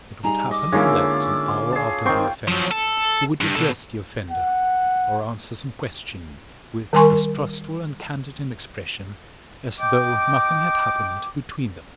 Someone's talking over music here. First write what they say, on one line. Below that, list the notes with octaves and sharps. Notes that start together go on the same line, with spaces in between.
It would happen that an hour after the offense he would address the offender or answer some question with as trustful and candid an expression as though nothing had happened between them.
G3 D#4 G#4 A#5
D#5 D6
D3 G#3 A#3 C#4 D#4 F4 E5 F5
G#4 A5
D#3 C4 G5 C6 C#6
F3 F#3
A4
G2
B2 A4
F#5
D#3 G3 A#4 G#5 C6 C#6
D#5 G5 D6